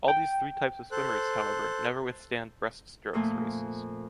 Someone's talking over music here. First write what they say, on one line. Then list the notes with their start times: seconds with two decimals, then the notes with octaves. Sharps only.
All these three types of swimmers, however, never withstand breaststrokes races.
0.08 G5
0.91 A4 C5 F#6
3.14 F2 A#2 A3 C5 G#5